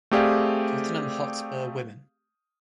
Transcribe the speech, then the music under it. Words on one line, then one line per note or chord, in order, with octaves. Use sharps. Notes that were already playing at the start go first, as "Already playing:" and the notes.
Tottenham Hotspur Women.
A3 C4 G4 G#4 D5 F5